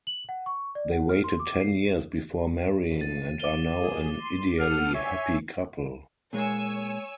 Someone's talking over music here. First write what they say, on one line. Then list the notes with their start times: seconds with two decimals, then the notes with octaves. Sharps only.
They waited ten years before marrying and are now an ideally happy couple.
0.07 F#7
0.29 F#5
0.46 C#6
0.75 D5
0.92 F#5
1.09 F6
1.24 C6
1.40 D6
1.61 C7
3.00 A6 D#7
3.40 D6 D#7 G7
3.80 F#3 G#4
4.19 C6
4.59 B3 A4 F#5 F6 C7
4.94 C#5 E5 G#5
6.33 A#2 G#3 A#3 C#5 G#5 E6